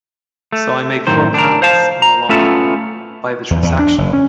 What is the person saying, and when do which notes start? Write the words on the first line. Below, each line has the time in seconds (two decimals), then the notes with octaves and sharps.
So I make four pounds — in a lump — by the transaction!
0.52 A3
1.07 F#2 A2 D#3 C5
1.34 D4 A#4
1.62 C5 F5 A5
2.02 A#5
2.29 A3 B3 C#4 F4 A4 E5
3.51 E2
3.63 E2
3.79 D4
3.98 F#1
4.13 C#4